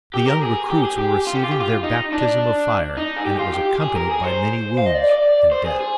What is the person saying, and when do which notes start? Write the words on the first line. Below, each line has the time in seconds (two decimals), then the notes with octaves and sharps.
The young recruits were receiving their baptism of fire and it was accompanied by many wounds and death.
0.14 G4
0.27 A#4
0.42 G#4
0.70 G4
0.85 G#4
0.98 G4
1.27 F4
1.35 G4
1.44 F4
1.51 G4
1.59 F4
1.83 D#4
2.12 D4
2.97 D#4
3.16 G#4
3.25 G4
3.39 F4
3.53 G4
3.82 G#4
3.96 A#4
4.10 G#4
4.24 C5
4.78 F5
4.86 D#5
4.95 D5
5.10 D5
5.52 C5
5.65 G#4
5.81 G#4